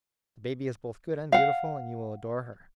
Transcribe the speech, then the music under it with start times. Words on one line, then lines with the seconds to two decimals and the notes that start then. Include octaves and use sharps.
The baby is both good and beautiful, and you will adore her.
1.32 F5 F#5